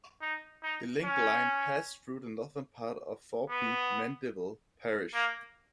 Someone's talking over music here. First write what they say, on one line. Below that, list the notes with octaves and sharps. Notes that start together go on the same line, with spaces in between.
The link line passed through the northern part of Thorpe Mandeville parish.
D#4
D#4
C#4
B3
A#3